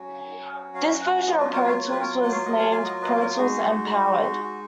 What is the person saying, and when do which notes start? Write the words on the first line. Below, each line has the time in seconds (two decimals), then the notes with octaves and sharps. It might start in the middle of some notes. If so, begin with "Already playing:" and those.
This version of Pro Tools was named Pro Tools M-Powered.
Already playing: F#3 C#4 F#4
0.75 C#5 F5
1.27 F#3 A#3 F4 B4 D#5
1.40 B4 D#5
1.53 A#4 C#5
1.67 C#5 F5
1.80 C#5
1.90 B4
2.00 A#4 C#5
2.23 F#5
2.32 C#5 F5
2.45 D#5 F#5
2.59 F5 G#5
2.72 F5 G#5
2.85 D#5 F#5
3.02 B4 D#5
3.19 F#4 A#4
3.37 G#3 D#4 F#4 G#4
4.43 F#4